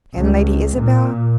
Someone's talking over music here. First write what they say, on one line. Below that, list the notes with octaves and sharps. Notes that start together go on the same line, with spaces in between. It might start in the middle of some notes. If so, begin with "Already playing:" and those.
And Lady Isabel?
C#2
A#2